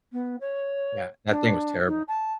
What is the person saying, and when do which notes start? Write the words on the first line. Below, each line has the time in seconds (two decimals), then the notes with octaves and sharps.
Yeah. That thing was terrible.
0.12 B3
0.40 C#5
1.29 D4
1.87 D#4
2.07 A5